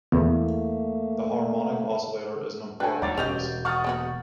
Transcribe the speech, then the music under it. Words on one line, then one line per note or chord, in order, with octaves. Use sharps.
The harmonic oscillator is an important case.
E2 A3 A#3
D4 F#4 A4 B4 G5 G#5
D#2 G#2 C#5 F#5 D6 A6
E1 C#4 G4 D#5 G6 F7
F#5 C#6 D#6 F6 A6
A#3 B3 F#4